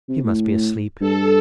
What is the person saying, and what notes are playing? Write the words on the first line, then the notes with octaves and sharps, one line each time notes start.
He must be asleep.
C3
A2
G2 A4